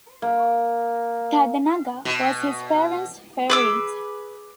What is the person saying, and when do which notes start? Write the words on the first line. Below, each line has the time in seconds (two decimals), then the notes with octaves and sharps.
Tadanaga was his parents' favorite.
0.22 A#3
2.05 B2
3.50 G#4 B4 D6 E6